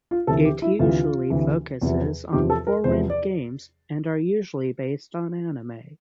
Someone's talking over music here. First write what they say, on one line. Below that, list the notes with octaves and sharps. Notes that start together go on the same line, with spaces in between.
It usually focuses on foreign games, and are usually based on anime.
F4
D2 C3 E3 A4
G4
E4
D2 C3 E3 F4
D2 C3 E3
E2 C3 F3
E2 C3 F3 G4
A4
A#4
E2 C3 F3 C5
D5